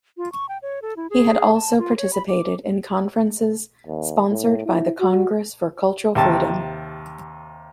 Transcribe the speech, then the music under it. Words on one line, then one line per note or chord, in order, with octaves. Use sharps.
He had also participated in conferences sponsored by the Congress for Cultural Freedom.
F4
C#6
G5
C#5
A4
E4
G#4
A5
F4
C#5
B5
D6
D#2
A2
E4
F#4
D#2 C3 A5